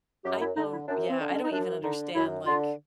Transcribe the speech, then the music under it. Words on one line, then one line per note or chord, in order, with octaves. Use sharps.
I don't yeah, I don't even understand, like
F#2 G4
E4
D3 D#4
E4
F#2 D4
C4
D3
C#4
D#4
F#2 D4
D3 D#4
F#2 E4
D3 F4